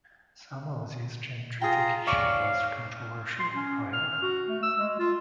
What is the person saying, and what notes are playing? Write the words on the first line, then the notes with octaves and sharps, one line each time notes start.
Some of this gentrification was controversial, however.
F4 G#4 G5 A#5
C#5 D5 F5 C#6
C6
C#4
F6
F#4
A3
E6
G#3
F4